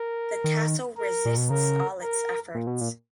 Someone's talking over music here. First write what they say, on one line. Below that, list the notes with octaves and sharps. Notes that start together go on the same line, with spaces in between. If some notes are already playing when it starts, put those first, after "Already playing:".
The castle resists all its efforts.
Already playing: A#4
D#3
A#4
A#2
B2
C#3 A#4
A#4
A#2
B2
A#2